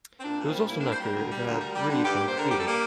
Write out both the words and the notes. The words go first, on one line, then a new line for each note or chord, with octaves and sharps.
It is also not clear if it had really been completed.
C4
A#2 D4
A#2
C4
G3
A#3 E4
D4
G3
C5
G3 A#4
D2
G3
D2
G3
G3
D3
G2 G4
G4
A#3
C5
D3 A#4
G3 G4
A4
A#3 G4